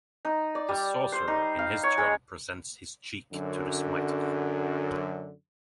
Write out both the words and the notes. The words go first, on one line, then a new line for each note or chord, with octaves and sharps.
The sorcerer in his turn presents his cheek to the smiter.
D#4
D5
G3
C5
D#4
F5
C#5
G#3
F#2 D3